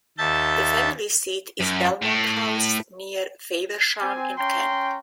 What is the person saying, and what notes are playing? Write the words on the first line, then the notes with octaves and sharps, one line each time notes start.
The family seat is Belmont House near Faversham in Kent.
D#2 E5 A5 G6 A6
F#2
A2
C4 G#5
C#4 G5 A#5 C6